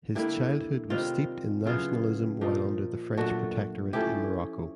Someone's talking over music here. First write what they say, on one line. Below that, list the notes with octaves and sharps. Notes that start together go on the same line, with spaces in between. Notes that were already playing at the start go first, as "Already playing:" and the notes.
His childhood was steeped in nationalism while under the French Protectorate in Morocco.
D3 G3 A#3 E4
C3 D#3 G3 C4 F4
C#3 F#3 B3 E4 F4
A#2 F3 A#3 D#4
A#2 F#3 A3 D4 F#4
F3 A3 C#4 E4 G4